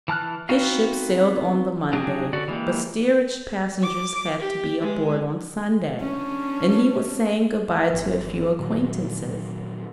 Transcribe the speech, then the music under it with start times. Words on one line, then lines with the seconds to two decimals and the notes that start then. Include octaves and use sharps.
His ship sailed on the Monday, but steerage passengers had to be aboard on Sunday, and he was saying good-bye to a few acquaintances.
0.08 E3 A5 F6 F#6
0.49 B3 C4 D#4 F#4 F5
1.93 F#3 D4 D#4 G4 G#4
2.33 D3 F#4 D5
2.48 E3 G#3 A#3 G4
3.83 D6
4.39 G4
4.81 G#3
6.01 C#4 D4
7.90 G#1 F3
8.59 A#2 D#3 F#3